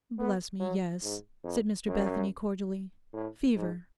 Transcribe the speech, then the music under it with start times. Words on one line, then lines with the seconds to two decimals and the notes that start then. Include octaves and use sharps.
'Bless me, yes,' said Mr Bethany cordially--'fever.
0.19 B3
0.60 F#3
1.03 G#2
1.44 F2
1.87 F#2
3.13 A2
3.56 G#2